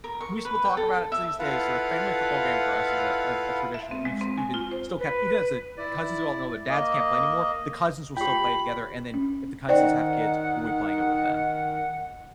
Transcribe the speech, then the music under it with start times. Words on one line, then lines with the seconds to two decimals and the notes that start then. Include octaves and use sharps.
We still talk about it to these day, so the family football game for us is a a a tradition that we've even still kept even as the cousins are all grown, their dads can't play anymore, the cousins will still play it together, and then if the cousins have kids, we'll be playing it with them.
0.04 A#4
0.21 C#6
0.45 B4
0.65 G5
0.77 A4
1.12 E5
1.39 E4 F4 A4 B4 F5 F#5
3.74 E5
3.91 C4
4.05 G#3
4.21 C4
4.38 G#5
4.54 F4
4.71 C5
4.99 B4
5.77 E4 D5
6.69 A#3 D#5
8.17 F4 G4 G5 B5
9.14 C#4
9.69 D#3 D#4 C5 D5 F#5 G5